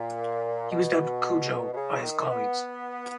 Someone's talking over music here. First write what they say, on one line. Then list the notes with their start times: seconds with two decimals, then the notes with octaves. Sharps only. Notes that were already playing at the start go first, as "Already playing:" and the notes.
He was dubbed "Kujo" by his colleagues.
Already playing: A#2
0.70 B2
1.71 B2
1.75 C#3
2.02 D#3
2.29 B3